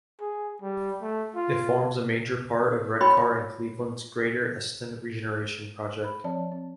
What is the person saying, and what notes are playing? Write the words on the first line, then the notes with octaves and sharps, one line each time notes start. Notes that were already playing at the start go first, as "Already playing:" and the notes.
It forms a major part of Redcar and Cleveland's Greater Eston regeneration project.
G#4
G3
A3
F4
F#4 C#5 D#5 G5 B5 C6
B5
F3 C4 C#5 D5 A5
C4